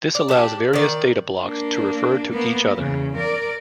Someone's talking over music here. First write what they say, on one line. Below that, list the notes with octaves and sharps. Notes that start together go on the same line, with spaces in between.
This allows various data blocks to refer to each other.
D5
D4 G4
D#3 D5
A#3 D4
A#3 B3
E2 C#3
A#4 D5